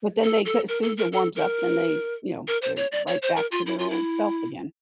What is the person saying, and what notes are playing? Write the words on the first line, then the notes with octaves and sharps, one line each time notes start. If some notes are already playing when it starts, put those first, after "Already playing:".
but then they c as soon as it warms up, they you know, they're right back to their old self again.
A4
A4
A#4
A4
A#4
A4
A#4
A#4
C5
C#5
D5
C#5
C5
A#4
F4
E4
F4
E4